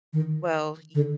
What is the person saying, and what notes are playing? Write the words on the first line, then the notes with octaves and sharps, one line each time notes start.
Well, y
D#3
D3